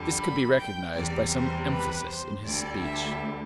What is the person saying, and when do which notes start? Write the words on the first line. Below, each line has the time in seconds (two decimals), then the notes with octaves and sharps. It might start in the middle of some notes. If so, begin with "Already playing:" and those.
This could be recognized by some emphasis in his speech.
Already playing: F2 D3 G3
0.19 B5
0.56 G5
0.94 E2 C3 G3 D5
1.32 C5
1.69 B4
2.06 C5
2.43 D2 D3 G3 D5
2.81 E5